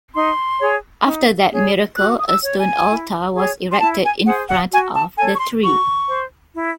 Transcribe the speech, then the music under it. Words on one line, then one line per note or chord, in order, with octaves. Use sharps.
After that miracle a stone altar was erected in front of the tree.
D#4 C6
G#4 C#5
D#4
G#4 C#5
F#4 F#6
D#6
E6
C#5
G#5
E4
G#4 C#5
C6
E4 A5
G#5
G#4 C5 F#5
F#5
F#4 G#5
A5
A4 C#5 G#5
C#6
C6
F#4 C#6
C5
E4